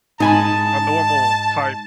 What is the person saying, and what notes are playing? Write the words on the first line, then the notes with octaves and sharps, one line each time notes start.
a normal type,
G#2 D#4 G#5 A5 B5